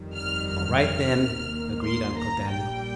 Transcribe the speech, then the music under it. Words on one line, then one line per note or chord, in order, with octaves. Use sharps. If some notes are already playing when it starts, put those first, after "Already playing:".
"All right, then," agreed Uncle Daniel.
Already playing: G1 F2 D#3 G3
F6
F6
D#2 D#3 A#3
C6
A#5
A#1 A#2 G3 G5